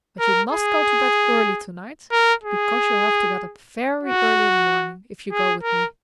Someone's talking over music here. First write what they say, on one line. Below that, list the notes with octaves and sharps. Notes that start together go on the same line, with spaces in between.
But you must go to bed early to-night, because you'll have to get up very early in the morning, if you go with me!
A#4
G#4
A#4
G#4
F#4
G#4
A#4